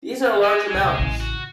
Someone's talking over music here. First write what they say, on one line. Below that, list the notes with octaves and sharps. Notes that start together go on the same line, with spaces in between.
These are large amounts.
G#3
C#2 B2
A1 C#3
F#4